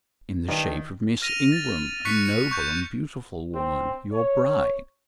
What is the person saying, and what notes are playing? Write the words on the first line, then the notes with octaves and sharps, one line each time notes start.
"In the shape of Miss Ingram; a noble and beautiful woman,--your bride."
G2 D#3 D#4
F6 A#6 D#7 F7
A6
C#6 F#6 B6 C#7
C#7
C#6 G6
C4
C#5